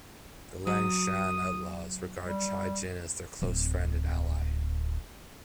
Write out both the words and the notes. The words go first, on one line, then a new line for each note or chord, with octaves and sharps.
The Liangshan outlaws regard Chai Jin as their close friend and ally.
F#3 D#6
G3
D1 C4